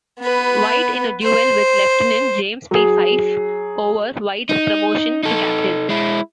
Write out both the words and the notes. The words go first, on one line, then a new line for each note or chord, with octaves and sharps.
White in a duel with Lieutenant James P. Fyffe over White's promotion to captain.
B3 B4
C5
F#3 G#4
D#4
D#4 A4
G#3 E4